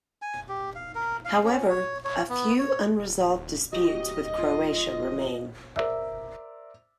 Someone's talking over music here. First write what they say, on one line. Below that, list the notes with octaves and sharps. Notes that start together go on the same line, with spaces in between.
However, a few unresolved disputes with Croatia remain.
G#5
G4
F5
A#4
F5
C#4
C#5
C#5
B3
C#5
D#1
D1 F#4 G4 D#5
F4
A#4 C5 D5 E5